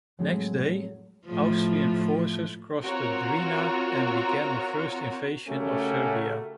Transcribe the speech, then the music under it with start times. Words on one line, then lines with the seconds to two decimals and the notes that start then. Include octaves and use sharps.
Next day, Austrian forces crossed the Drina and began the first invasion of Serbia.
0.19 A2 F#3 G#3 C4 G#4 F#5
1.26 A2 F3
2.81 C4 F4 F#4 A#4 C#5 A#5
5.48 C#3 A3 C#4 F#4 G4 A#4